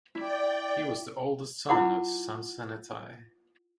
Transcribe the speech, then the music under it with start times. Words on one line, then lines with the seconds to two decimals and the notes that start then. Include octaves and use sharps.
He was the oldest son of Samsenethai.
0.15 E4 D5 G5
1.69 E4 F4 F#5 D6